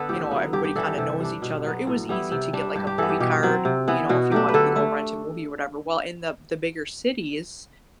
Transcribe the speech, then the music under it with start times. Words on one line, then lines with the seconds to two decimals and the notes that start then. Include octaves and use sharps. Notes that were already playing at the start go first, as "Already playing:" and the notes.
you know, everybody kinda knows each other. It was easy to get, like, a movie card, you know, if you wanted to go rent a movie or whatever. Well, in the the bigger cities,
Already playing: D3 B3 A4 B4
0.09 A2 G4
0.31 F#3 B3
0.53 G2 G4
0.65 G4
0.75 E3 B3 D4 A4
0.87 G4
0.98 C3 A4
1.20 G3 D4
1.42 B2
1.65 F#3 B3
1.87 A2
2.09 G3 B3 E4
2.32 C3
2.53 G3 D4
2.75 G2 G4
2.87 G4
2.98 E3 B3 A4
3.09 G4
3.20 B2 G4
3.43 F#3 C4
3.65 C3
3.88 E3 B3
4.09 B2 F#4
4.31 F#3 A3 D4 G4
4.49 B4
4.54 D3 A4
4.76 A3